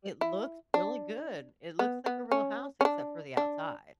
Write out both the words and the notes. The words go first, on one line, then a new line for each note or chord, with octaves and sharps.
It looks really good. It looks like a real house, except for the outside.
E4
D4
B3
B3
C#4
C#4
D4
D4